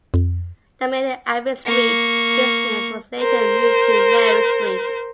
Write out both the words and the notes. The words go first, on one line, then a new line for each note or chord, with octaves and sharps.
The Middle Abbey Street business was later moved to Mary Street.
F2
A#3 C#6
A#4 C5